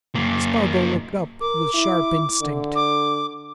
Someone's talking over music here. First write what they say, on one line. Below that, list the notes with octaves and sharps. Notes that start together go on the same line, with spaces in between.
Spargo looked up with sharp instinct.
F#2 A#3
A#4 D6
E4
D3
D6